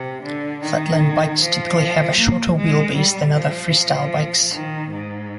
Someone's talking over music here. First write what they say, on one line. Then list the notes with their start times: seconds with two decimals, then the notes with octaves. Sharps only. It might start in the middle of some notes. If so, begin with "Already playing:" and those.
Flatland bikes typically have a shorter wheelbase than other freestyle bikes.
Already playing: C3
0.23 D3
0.63 D#3
1.41 F3
2.18 A#3
2.57 G#3
2.97 G3
3.35 F3
4.52 D#3
4.91 G#2